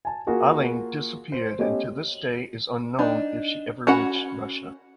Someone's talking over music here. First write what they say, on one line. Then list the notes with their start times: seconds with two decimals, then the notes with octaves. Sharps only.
Alling disappeared and to this day it is unknown if she ever reached Russia.
0.05 G#5 A5
0.27 A#3 F4 F#4 G#4 A#4
1.32 C5
1.59 A3 B3 C#4 G4 D#5
2.99 D4 D#4
3.87 C#4 F#4 F#5 B5